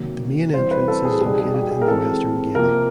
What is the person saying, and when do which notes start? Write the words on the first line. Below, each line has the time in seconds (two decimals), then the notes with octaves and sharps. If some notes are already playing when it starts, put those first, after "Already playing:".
The main entrance is located in the western gable.
Already playing: C3 D#3 F#3 A#3
0.54 E3 G3 C4 C5
0.71 B4
0.88 A4
1.05 G#4
1.21 B2 G3 B3 D#4 G#4
1.39 G#4
1.54 G4
1.71 G#4
1.81 A#4
1.88 E3 G#3 C4 A4
2.54 C3 F3 A#3 A#4